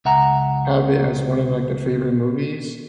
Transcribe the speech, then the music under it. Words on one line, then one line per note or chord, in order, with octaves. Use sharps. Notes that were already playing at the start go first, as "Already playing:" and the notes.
have it as one of, like, their favorite movies,
C#2 E5 F#5 A#5